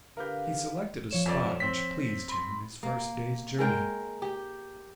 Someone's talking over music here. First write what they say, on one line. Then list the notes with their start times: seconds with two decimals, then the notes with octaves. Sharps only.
He selected a spot which pleased him in his first day's journey.
0.17 D3 G4 A#4 B4 F5 G6
1.11 F3 C#5 E7
1.26 F2 D5
1.60 C4 B6
2.29 B5 C6
2.83 A#3
3.59 G#3 A#4 G5
4.22 G4